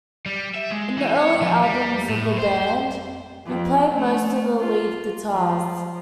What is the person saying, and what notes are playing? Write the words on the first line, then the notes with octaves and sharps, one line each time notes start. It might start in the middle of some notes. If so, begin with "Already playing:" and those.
In the early albums of the band, he played most of the lead guitars.
G3
E5
G#3
E3
C#5
F3
G3
A2
C5
F2
A3
F4
F3